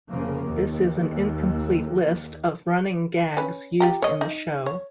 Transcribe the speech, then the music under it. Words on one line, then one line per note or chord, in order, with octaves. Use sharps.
This is an incomplete list of running gags used in the show.
F1 C#3 F3 A#3
D#2
C#4 B4
F4 G4 A#5
C#5 D#5
D#4
C#5